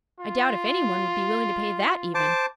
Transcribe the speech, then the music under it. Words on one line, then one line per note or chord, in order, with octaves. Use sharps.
I doubt if any one would be willing to pay that, even.
F4
C5 A5 D6